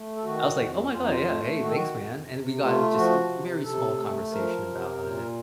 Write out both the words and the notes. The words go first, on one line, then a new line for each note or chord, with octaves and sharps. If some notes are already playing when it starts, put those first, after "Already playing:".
I was like, "Oh my god, yeah, hey, thanks, man," and we got just in t very small conversation about it,
Already playing: A3
A4
D#3 F#4
F2
F2 F4
D#4
F4
A3
D#3 F#4
A4
F#4
F2
C3
A3 F4
F4
F3 F#4
C3
C3 A4
A3
F3 A#4
C3
A#2